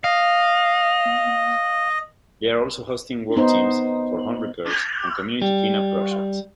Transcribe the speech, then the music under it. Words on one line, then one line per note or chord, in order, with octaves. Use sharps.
They are also hosting work teams for home repair and community clean-up projects.
D#5 F5
B3 D#4 C5
G3